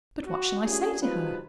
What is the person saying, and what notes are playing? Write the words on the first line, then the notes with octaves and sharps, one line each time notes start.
"But what shall I say to her?"
F#4
A#3 C#4 D4 F4 G4 G#4
F3 G3 D#4 F4 F#4 B4